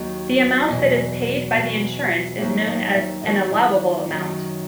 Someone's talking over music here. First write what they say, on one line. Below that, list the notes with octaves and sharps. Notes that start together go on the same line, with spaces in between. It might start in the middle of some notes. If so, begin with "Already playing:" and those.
The amount that is paid by the insurance is known as an allowable amount.
Already playing: D#2 D#3 F#3
E2 B2 F#3 D#5
E2 B2 F#3
D#2 D#3 F#3 E5
D#5
E5
D#2 D#3 F#3 D#5
E4
F#2 D#3 F#3